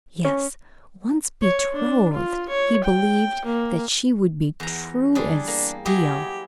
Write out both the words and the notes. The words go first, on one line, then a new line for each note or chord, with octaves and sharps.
Yes, once betrothed, he believed that she would be true as steel.
C#4
C#5
D4
F4
C#5
G5
A#3
E2 A#5
G3 D4 G#4
A#3
F#3 E4 G4 G#4